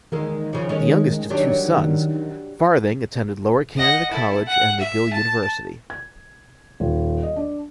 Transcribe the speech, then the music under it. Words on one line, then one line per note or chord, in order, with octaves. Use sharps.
The youngest of two sons, Farthing attended Lower Canada College, and McGill University.
E2 D#3 G#3 A#3
C#3 F3
G#3 A3 C#4
F#3 G3 D4
D#5 F#5
E4 A4
F#5 F#6
E5
A5
G#6
D#1
D#5
D4